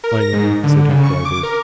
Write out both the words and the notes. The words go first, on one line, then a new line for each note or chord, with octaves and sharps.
"I know," said Hoopdriver.
A#4
A#6
G#2
D3
C#3
C#6
D6
A#4